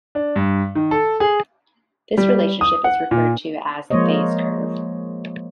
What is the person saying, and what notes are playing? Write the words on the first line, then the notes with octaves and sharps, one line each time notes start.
This relationship is referred to as the phase curve.
D4
G2
D#3
A4
G#4
G3
D#6
F#5
A#2
F3 G#3 A#3 C5 C#5 D#5